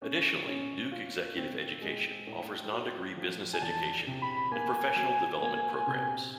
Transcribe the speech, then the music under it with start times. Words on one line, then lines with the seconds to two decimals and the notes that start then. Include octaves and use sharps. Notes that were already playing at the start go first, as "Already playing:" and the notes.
Additionally, Duke Executive Education offers non-degree business education and professional development programs.
0.02 C#4
0.47 C#4
0.92 F4
1.37 C4
1.82 G#3
2.27 A2
2.71 F#4
3.17 F3
3.53 G#5
3.62 E2 A5
4.07 C3
4.22 B5
4.51 A#3 G#5
4.96 F#3
5.42 A#3
5.87 C3